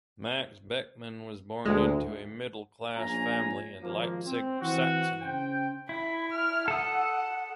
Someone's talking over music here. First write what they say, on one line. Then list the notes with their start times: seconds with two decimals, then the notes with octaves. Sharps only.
Max Beckmann was born into a middle-class family in Leipzig, Saxony.
1.65 D2 G#3
2.96 A#1 A#3 C#4 F4 G#5 A#5
3.81 G#1 F3 A#3
4.26 C4
4.60 E3 C4 F#4
5.21 C#3 C#4 C5 G5
5.89 E4 B5
6.32 F6
6.68 A4 F#5 D#6